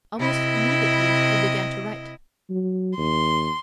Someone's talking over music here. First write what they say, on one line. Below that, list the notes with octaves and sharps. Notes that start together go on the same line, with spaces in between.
Almost immediately it began to write.
C3 E4 D#5
F#3
D#2 C6